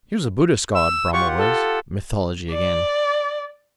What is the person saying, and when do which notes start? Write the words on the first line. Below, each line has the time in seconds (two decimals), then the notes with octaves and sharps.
He was a Buddhist god, Brahma was; mythology again.
0.75 E6
1.13 F4 G4 F#5 C#6
1.38 A4
2.53 D5